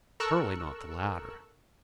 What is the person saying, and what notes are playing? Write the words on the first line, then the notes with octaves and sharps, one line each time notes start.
Surely not the latter!
A4 A#4 C#6 E6 F#6